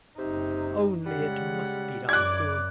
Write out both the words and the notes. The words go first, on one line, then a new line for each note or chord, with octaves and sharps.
Only it must be done soon.
F#1 C3 D#4
C#3 G3 G#3 F#5
F#2 D5 D6 F#6 G#6